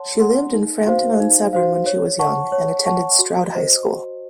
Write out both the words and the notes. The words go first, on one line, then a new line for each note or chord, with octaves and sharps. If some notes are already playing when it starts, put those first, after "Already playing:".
She lived in Frampton-on-Severn when she was young, and attended Stroud High School.
Already playing: C#5 F#5 A5 C6
F#5 A5 C6
D#4
F#4 C5 F5
D#4
F#4 C5 F5
C#5
F#5 A5 C#6
C#5
F#5 A5 C#6
F#4
C5 D#5
F#4